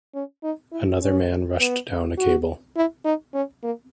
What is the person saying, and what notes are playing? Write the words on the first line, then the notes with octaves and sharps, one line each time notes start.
Another man rushed down a cable.
C#4
D#4
E4
C#4
B3
F#4
E4
D#4
C#4
A#3